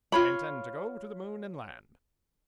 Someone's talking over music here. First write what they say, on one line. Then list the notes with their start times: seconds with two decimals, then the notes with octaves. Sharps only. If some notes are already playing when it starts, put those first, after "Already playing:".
I intend to go to the moon and land.
0.12 F4 C#5 B5